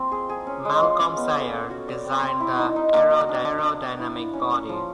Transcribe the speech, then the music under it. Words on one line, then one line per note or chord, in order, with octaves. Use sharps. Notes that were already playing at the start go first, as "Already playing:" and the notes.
Malcolm Sayer designed the aerodynamic body.
Already playing: F3 A#3 C4
G#4
G#4
C#4
G#3
F4
C#4
B3
A4
A4
F#4
D5
C4
C4
E4
D#4
D#4
A#3
F#4
D4
D4
D4
D4
E4
E4
C#4
C#4
F3